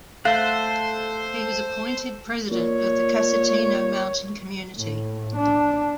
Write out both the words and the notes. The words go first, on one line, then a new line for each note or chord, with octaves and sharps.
He was appointed president of the Casentino mountain community.
A3 A4 C5 F5 F#5
A#2 C#5
A2
D4